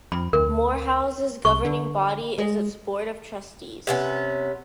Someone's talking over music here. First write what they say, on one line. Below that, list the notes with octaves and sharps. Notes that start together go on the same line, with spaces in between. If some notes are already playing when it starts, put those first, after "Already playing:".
Morehouse's governing body is its Board of Trustees.
F2 B5
D2 A#4
C2 C#6
D3
G#3
C3 B3 C#4